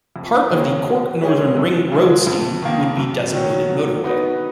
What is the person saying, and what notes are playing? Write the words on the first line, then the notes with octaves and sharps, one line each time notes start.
Part of the Cork Northern Ring Road scheme would be designated motorway.
F2
D#3 A#3 C#4 G#4
B2
G#3 C#4 G#4
F#2
C#3 F3 G#3
F2
D#3 A#3
F#2
D#3 F#3 C#4
F#3
B3 D#4 F#4 B4